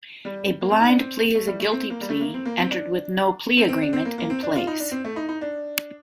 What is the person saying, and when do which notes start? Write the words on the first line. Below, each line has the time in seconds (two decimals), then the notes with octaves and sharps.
A "blind plea" is a guilty plea entered with no plea agreement in place.
0.25 G3
0.61 A#3
0.70 C4
0.80 D#4
0.89 D4
0.98 C4
1.35 A3
1.47 G3
1.60 A3
1.72 C4
1.90 A#3
2.01 G3
2.09 A3
2.21 A#3
2.34 C4
2.45 A#3
2.59 C4
2.71 D4
3.57 C4
3.69 C4
3.82 D4
3.93 C4
4.05 A#3
4.18 A#3
4.30 C4
4.43 D4
4.56 F4
4.67 D#4
4.80 D4
4.91 C4
5.04 A3
5.16 D#4
5.29 D#4
5.41 D4